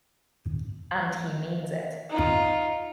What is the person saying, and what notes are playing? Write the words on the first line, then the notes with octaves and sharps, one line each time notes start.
And he means it.
D#4 F4